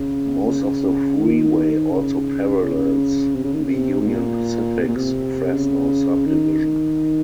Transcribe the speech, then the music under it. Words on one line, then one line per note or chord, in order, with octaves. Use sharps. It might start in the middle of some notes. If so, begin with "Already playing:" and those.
Most of the freeway also parallels the Union Pacific's Fresno Subdivision.
Already playing: C#3
C#3
D#3
C#3
C#3
C3
C#3
D#3
C#3
C3
G#2
A#2
C3
A#2
C3
C#3
D#3